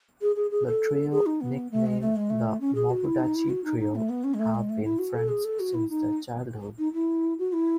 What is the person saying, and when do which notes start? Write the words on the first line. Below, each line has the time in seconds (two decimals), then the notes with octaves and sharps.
The trio, nicknamed the Mabudachi Trio, have been friends since their childhood.
0.21 G#4
0.36 G#4
0.51 G#4
0.66 A4
1.12 G#4
1.26 D#4
1.41 B3
1.71 A3
1.86 G#3
2.01 A3
2.16 G#3
2.30 A3
2.61 C#4
2.75 G#4
2.90 F#4
3.05 E4
3.20 D#4
3.35 E4
3.50 F#4
3.64 D#4
3.79 D#4
3.95 A3
4.09 B3
4.24 C#4
4.34 G#3
4.39 A3
4.55 G#3
4.70 A3
4.84 E4
4.99 F#4
5.15 A4
5.29 G#4
5.45 A4
5.60 F#4
5.74 E4
5.90 D#4
6.78 D#4
6.93 E4
7.39 F#4
7.53 E4